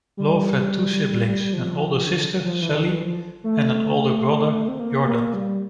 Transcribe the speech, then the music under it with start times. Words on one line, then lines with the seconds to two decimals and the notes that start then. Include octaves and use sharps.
Love had two siblings: an older sister, Sally, and an older brother, Jordan.
0.17 G3
1.53 F3
2.07 D3
2.44 F3
2.62 E3
2.75 D3
2.89 E3
3.03 F3
3.44 A3
4.68 C4
4.79 A#3
5.07 A#3
5.33 G3